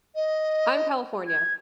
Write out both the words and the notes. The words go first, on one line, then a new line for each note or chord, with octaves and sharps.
I'm California,
D#5
G#6